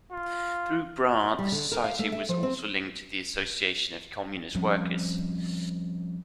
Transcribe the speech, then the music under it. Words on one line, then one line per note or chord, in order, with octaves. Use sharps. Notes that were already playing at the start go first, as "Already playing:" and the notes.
Through Brar, the society was also linked to the Association of Communist Workers.
F4
G3
D3
A#4
F5
A3
E5
F3
C4
F3 G3 C4 C#4